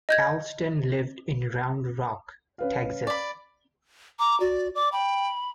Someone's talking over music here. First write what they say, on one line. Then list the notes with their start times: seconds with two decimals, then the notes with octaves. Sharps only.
Allston lived in Round Rock, Texas.
0.09 D#5 G6 G#6
2.58 C#4 B4 F5
3.07 D5 B5
4.19 A#5 D6
4.40 F#4 D5
4.75 D5 D6
4.92 G5 B5